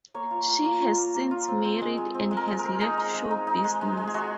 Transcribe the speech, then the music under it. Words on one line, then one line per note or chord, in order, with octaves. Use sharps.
She has since married and has left show business.
A#3 C#5
F4
F4
A#3
F4
A#3
A#3
F4
C4
C4
G#3
G#3
C4
G#3
A#4
G#3
A#4
C4
D#4 G#4
D#4
G#3
D#4
D#4
G#3
G#3
G#3
G#4
G#3 F#4